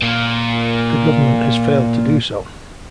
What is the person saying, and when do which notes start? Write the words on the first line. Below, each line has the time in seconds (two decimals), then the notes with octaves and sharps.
The government has failed to do so.
0.02 A#2 A#3